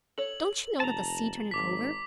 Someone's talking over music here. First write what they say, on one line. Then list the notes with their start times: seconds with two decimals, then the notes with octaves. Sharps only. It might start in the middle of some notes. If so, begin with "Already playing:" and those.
"Don't you know that the sea turned it over?"
0.18 A4 C#5 F#7
0.80 F1 A5 A#5
1.51 G#1 D6 B6